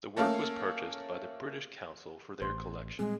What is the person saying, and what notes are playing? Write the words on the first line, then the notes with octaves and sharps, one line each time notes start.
The work was purchased by the British Council for their collection.
A3 A#3 C#4 A4 F5
A1 C5
A#2 G3 G#3 C4 G#4